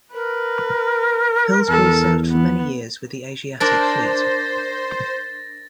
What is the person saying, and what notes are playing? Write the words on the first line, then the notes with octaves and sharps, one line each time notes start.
"Pillsbury" served for many years with the Asiatic Fleet.
A#4 B4
E2 A4
B3
D4 A#4 C5 A6 A#6